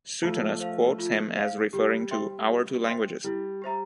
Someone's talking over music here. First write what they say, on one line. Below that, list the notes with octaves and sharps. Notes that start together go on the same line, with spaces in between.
Suetonius quotes him as referring to "our two languages".
F3 A3 F4
C5 F5
F4
C5 F5
G3 G4
C5 E5 G5 C6
G4
C5 E5 G5 C6
G3 E4
G4 C5 E5 A#5